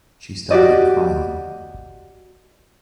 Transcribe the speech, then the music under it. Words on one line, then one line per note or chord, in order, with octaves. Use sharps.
She started crying.
F#4 G4 D5 D#5